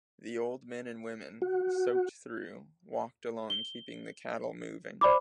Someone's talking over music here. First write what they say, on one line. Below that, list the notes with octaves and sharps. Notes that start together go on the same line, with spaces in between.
The old men and women, soaked through, walked along keeping the cattle moving.
F#4
G7
C5 D5 B5 D6